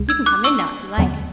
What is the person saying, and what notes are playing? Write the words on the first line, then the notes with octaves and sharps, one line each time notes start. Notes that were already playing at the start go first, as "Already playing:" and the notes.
"You can come in now, if you like."
Already playing: C#2 G#3
E6 G#6
D6 F#6
C#6 E6
E2 D3 F#3 B3